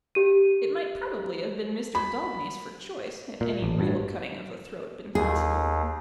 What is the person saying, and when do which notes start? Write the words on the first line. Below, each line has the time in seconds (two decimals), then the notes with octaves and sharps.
It might probably have been Mr. Daubeny's for choice, had any real cutting of a throat been possible.
0.15 G4 D#7
1.95 B5
3.41 A#2
3.62 A1
3.80 G2
5.15 D#2 G#4